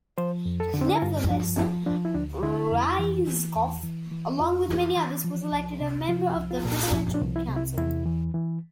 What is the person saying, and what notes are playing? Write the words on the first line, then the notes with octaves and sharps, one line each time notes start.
Nevertheless, Ryzhkov, along with many others, was elected a member of the Presidential Council.
F3 C5
F2
A4
D3
C4
D4
E4
G2 F4
F3 D4
F3 E4
F3 D4
E4
D2 D4
D3 E4
F2
E3
E3
E2
E3
E3
F2 F4
E3
E3
F3
C2
C3
F3 F4
C2
F4
A#2
F4
F3 E4
D4
C2
E4
C3
E4
E2 E4
E3
E3